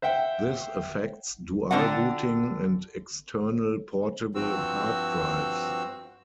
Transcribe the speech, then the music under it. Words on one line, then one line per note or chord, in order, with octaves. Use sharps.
This affects dual-booting, and external portable hard drives.
C5 E5 F#5 G5
D3 C4 D4 F4 F#5
G2 F3 C4 F#4 E6